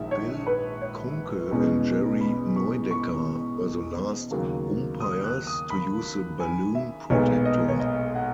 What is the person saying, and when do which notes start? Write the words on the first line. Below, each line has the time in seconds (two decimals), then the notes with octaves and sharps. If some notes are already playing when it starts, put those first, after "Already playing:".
Bill Kunkel and Jerry Neudecker were the last umpires to use the "balloon" protector.
Already playing: A#1 G#2 D#3 E5
0.11 C#5
0.47 B4
0.81 C#5
1.51 E2 B2 G#3 C#4
2.21 B5
2.56 C#6
2.91 C#6
4.31 D#2 C#3 F#3 A#3
5.00 D#6
5.24 F#6
5.47 D#6
5.70 B5
6.40 G#5
6.75 E5
7.10 B1 A#2 G#3 B3 C#5
7.45 D#5
7.68 C#5
7.80 D#5
8.15 F#5